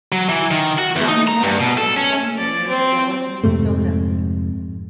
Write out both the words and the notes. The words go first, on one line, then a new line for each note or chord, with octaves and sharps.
Don Ness is the former mayor of Duluth, Minnesota.
F#3
E3
D#3
F#4
E2
D#4
A#5
G2
B2
A4
C#4
D5
C4
F2 G#2 C3 A3